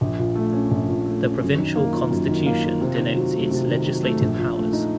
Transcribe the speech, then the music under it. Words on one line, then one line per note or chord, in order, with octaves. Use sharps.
The Provincial Constitution denotes its legislative powers.
A#1
A#2
A3
C#4
A#1
A#2
A3
C#4
F#2
D#3
A#3
F4
F#2
D#3
A#3
F4
C3
D#3
F#3
A3
C3
D#3
F#3
A3
A#1
A#2
A3
D#4